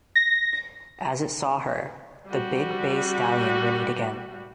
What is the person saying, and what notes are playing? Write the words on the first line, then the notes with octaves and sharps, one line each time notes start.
As it saw her, the big bay stallion whinneyed again.
A#6
G3 F#4